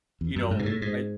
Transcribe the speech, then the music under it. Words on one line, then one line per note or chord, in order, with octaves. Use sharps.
you know, I
E2
F#2
G#2
C3
A2
G#2